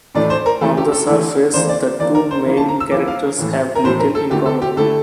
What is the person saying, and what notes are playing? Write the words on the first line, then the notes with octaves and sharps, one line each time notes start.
On the surface, the two main characters have little in common.
A2 E3 A3 D4 D5
C5
A#4
E3 A3 E4 A4
G4
A4
E3 A3 E4
E3 A#3 D4 C5
D5
E3 A#3 D4 D5
A#4
C5
F3 A#3 E4
A5
A#5
E6
F3 A#3 E4 D6
F5
A2 E3 A3
A#4
A2 E3 A3 C5
A#4
A4
D3 A3 E4 G4
A4
G4
D3 A3 E4 A4